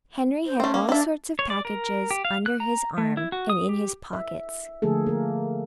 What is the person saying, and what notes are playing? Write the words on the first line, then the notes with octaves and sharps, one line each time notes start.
Henry had all sorts of packages under his arm and in his pockets.
C5
A3 C4 C#4
A#3
A#3 D4 E5
C#5
D5
A#4
G4
F5
F#6
A#5
A3
E4
F#4
D#6
G4
E5
D3 F3 A3 A#3 G#4 A4
A#3 A#4